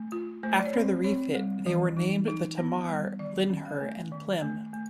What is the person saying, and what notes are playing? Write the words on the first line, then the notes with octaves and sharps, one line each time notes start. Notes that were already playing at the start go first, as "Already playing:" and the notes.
After the refit, they were named the "Tamar", "Lynher" and "Plym".
Already playing: A3
F4
A3 C5
D5
C#5
C4 C5
C4 C#5
G3
E3
D#4
D#4
B3
G3
D#3 D5
C#4
F5
A3
D#3
A3
A3